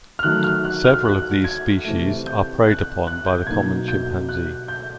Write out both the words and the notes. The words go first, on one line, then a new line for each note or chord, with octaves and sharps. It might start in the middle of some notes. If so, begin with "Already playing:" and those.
Several of these species are preyed upon by the common chimpanzee.
F6
D#3 F#3 A3 F#6
F6
F#6
F6
F#6
G#6
C3 E3 A3
G6
F#6
F#6
G6
B2 F#3 A#3 D#4 G#6
G6
F#6
G6